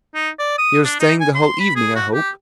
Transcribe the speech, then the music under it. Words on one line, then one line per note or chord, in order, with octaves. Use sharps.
"You are staying the whole evening, I hope?"
D#4
D5
D#6
D4
D#4
G#5
C6
B5
G#4
F#4
G4